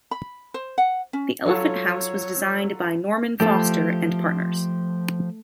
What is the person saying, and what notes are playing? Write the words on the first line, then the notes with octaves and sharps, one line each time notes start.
The elephant house was designed by Norman Foster and Partners.
B5
C5
F#5
C#4
F#3 F4 A4 C#5
F3 A3 G4 A4